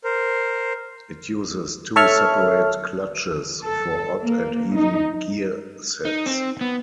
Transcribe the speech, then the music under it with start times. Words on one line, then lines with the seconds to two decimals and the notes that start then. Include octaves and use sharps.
It uses two separate clutches for odd and even gear sets.
0.04 A#4 C5
1.96 A4 C#5 E5 A5 C#6 F6
3.63 A4
4.22 A#3
4.77 D#4
6.05 D#4
6.26 C4
6.61 B3